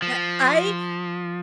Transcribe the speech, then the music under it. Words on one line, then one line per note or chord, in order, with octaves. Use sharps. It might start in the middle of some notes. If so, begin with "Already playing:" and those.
right I uh
F3